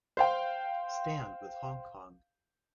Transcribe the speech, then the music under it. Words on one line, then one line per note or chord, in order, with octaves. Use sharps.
Stand with Hong Kong.
C5 F5 G5